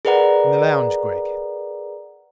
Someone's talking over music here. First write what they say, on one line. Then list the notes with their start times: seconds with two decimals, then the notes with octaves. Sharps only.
"In the lounge, Gregg?"
0.05 G#4 A#4 B4 D5 F#5 A#5